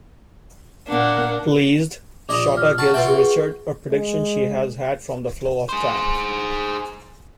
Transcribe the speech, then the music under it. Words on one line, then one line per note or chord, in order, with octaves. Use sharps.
Pleased, Shota gives Richard a prediction she has had from the flow of time.
A#2 A#3 D4 A#4 F#5
A#1 D#5 D6
F6
F#4 A5 A#5
F4 F#4 B4 E5 G5
G#4
G#3
G#4 C5